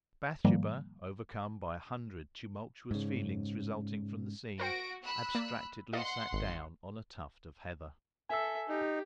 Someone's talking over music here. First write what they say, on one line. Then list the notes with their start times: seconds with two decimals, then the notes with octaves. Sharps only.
Bathsheba, overcome by a hundred tumultuous feelings resulting from the scene, abstractedly sat down on a tuft of heather.
0.45 G#2 D#3 F3 G3 A#3
2.91 G#2 C#3
4.60 F#4 A#4 C5 G5 A#6 D7
5.03 B5 E6 F#6
5.35 A#3 D5
5.93 D5 D#5 F5 F#5 C6
6.33 G#1
8.29 A4 E5 G#5 E6
8.69 D#4 G4